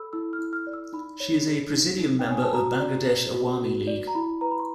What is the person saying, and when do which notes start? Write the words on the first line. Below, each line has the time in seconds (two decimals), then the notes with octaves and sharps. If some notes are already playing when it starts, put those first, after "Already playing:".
She is a presidium member of Bangladesh Awami League.
Already playing: A4 B5 E6
0.13 E4 E6
0.33 F6
0.39 E4
0.53 F6
0.67 D5
0.73 E6
0.93 D#4 B5
1.20 C#5
1.47 G#4
1.74 D#4
2.00 D#4
2.19 G5
2.27 C#5 G#5
2.43 A5
2.53 F#4 A#5
2.80 D5
3.07 B4
3.34 F#4
3.62 F#4
3.87 D5
4.07 A#5
4.15 E4 B5
4.41 B4 A#5
4.51 B5
4.59 C6